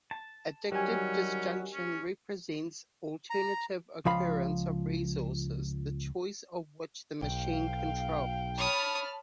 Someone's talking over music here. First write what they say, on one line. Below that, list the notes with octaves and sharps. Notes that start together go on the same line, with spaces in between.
Additive disjunction represents alternative occurrence of resources, the choice of which the machine controls.
A5
D3 D#3 F#3 G3 C#4 G4 G#5
C#4
A#5
C#2 F3 F5 B5
B1 F5 G5
C#5 A5 B5 D#6 F6